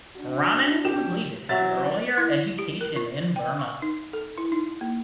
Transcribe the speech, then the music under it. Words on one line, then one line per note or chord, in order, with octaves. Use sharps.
Raman completed his earlier education in Burma.
D4 F#4
G4 E7
C3 E3 F#3 C#4 E5 A6
E4
G4
A#4
F4
G5
C#6
D#4
A4
E4
D#4
A#3